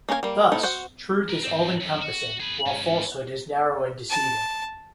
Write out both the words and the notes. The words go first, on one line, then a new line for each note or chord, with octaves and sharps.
Thus, truth is all-encompassing, while falsehood is narrow and deceiving.
A#3 C#4 A#4 B4 G#5
G3 A#3
A3 C4 D#4 E4
F#4 C5 F#5
A#4 B4
G#2 C4
F#2
F#4
G#4 B4
G#2 C#4
A5